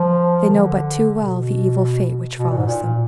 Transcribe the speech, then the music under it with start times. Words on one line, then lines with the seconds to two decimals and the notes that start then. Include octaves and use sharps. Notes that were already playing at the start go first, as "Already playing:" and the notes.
They know but too well the evil fate which follows them.
Already playing: F3
0.49 D#3
0.54 D3
1.16 B2
2.39 B2
2.49 A#2
2.57 G#2
2.66 A#2